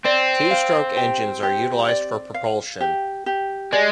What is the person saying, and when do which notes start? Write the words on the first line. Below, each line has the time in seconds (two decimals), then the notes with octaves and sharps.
Two-stroke engines are utilized for propulsion.
0.05 C4 D5
0.51 F5
0.97 G4
1.43 G4
1.89 D5
2.34 F5
2.80 G4
3.26 G4
3.72 G#3 D5